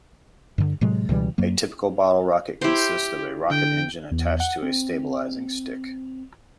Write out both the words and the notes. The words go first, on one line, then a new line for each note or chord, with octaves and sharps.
A typical bottle rocket consists of a rocket engine attached to a stabilizing stick.
G2 D3
A2 C3 F#3 G#3
C#2 B2 E3 G3
F#2 F#3 A#3
E4 G4 C5
D3 G5
E2
F#5
C4